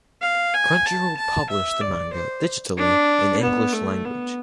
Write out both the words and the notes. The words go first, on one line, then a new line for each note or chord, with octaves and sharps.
Crunchyroll published the manga digitally in English language.
F5
G#5
A5
A5
E5
D5
C5
D4
B3
A3
B3